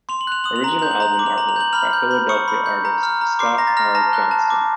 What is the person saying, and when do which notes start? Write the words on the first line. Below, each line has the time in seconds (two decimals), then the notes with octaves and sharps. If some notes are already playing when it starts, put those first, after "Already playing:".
Original album artwork by Philadelphia artist Scott R. Johnston.
0.09 C6 F7
0.21 F#7
0.27 F#6 F7
0.44 D#6 F#7
0.56 F7
0.64 A#5 F#7
0.79 G6 F7
0.91 F#7
1.00 A#5 F7
1.14 F#7
1.19 D6
1.26 F7
1.38 A#5 F#7
1.49 F7
1.56 G6 F#7
1.73 B5 F6 F7
1.93 G6
2.11 B5
2.29 C#6 D#6 C#7
2.48 B5
2.66 G6
2.85 A#5
3.03 F6
3.21 A#5
3.39 C6 D6 C7
3.58 A#5 A#6
3.67 A6
3.77 A#5 F6 A#6
3.95 A5 A#5 A#6
4.13 F#6
4.31 A5
4.50 D6